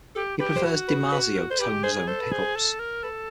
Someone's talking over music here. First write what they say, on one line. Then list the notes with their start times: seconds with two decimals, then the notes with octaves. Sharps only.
He prefers DiMarzio Tone Zone pickups.
0.15 G4 A4
0.39 G4 B4
0.56 C5
0.64 F#4 B4
0.88 B4
1.12 B4
1.35 A#4
1.50 C5
1.59 G4 B4
1.83 G#4 C5
2.07 A4 C5
2.20 B4
2.32 G#4 C5
2.55 A4
2.79 A#4
3.03 A4 B4